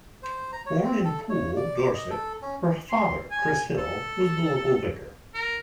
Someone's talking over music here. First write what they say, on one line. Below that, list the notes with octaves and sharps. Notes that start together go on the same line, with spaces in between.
Born in Poole, Dorset, her father, Chris Hill, was the local vicar.
C5
A#5
C#5
C4
A4
C#5
D5
D6
D#5
A4
C#4
C6
G#5
A4
A#4